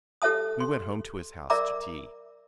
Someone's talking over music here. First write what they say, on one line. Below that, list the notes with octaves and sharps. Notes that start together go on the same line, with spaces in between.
We went home to his house to tea.
G4 A4 C#5 E5 A5 D#6
C6
A#4 D5 E5 A#5 D6